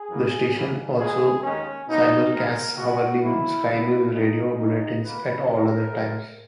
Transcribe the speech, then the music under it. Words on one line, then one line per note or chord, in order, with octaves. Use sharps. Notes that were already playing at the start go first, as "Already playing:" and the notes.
The station also simulcasts hourly Sky News Radio bulletins at all other times.
Already playing: G#4
F#2 E3 A#3
F#2 E3 A#3
A#2 G#3 B3 G#4
D#2 D#3 G#3 C#4
B2 A#3 D#4
G#2 D#3 G#3 B3 A#4
A#2 G#3 B3 F#4
G#2 F#3 A#3 E4
C#2 C#3 F#3 B3 E4
A#2 G#3 B3 D#4
A#2 G#3 B3 D#4
C#2 B2 A#3 B4
D#2 D#3 A#3 A#4
F#2 C#3 G#3